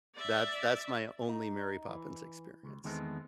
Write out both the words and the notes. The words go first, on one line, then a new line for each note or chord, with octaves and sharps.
That's that's my only Mary Poppins experience.
D5 E5
D#4
E3
C#2
E2 D#3 G#3 A3 B3 C4